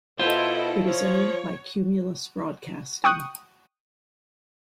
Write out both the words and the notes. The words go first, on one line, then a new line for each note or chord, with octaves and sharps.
It is owned by Cumulus Broadcasting.
B2 E4 F4 A4 C5 D#5
F3 C#5
G5 C#6 D#6 F#6